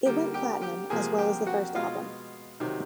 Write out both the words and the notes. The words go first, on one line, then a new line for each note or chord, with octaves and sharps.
It went Platinum as well as the first album.
D3 G3 A#3 G4 G5
G4 G5
G4 G5
C3 F3 A#3 G#4 G#5
G4 G5
F#4 F#5
B2 G#3 F4 F5
C3 D#3 F#3